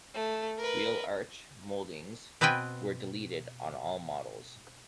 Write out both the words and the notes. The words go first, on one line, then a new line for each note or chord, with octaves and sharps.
Wheel arch moldings were deleted on all models.
A3
A#4 B4
B2 B3 C4 B4 G5 G#5